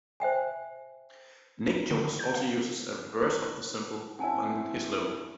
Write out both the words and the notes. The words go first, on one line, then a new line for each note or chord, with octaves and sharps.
Nick Jonas also uses a reverse of the symbol in his logo.
C5 E5 G5 G#5
D#4
D3
G6
F5
E4 C5 F#6
C4 C#4 E4 F#5 G#5 A5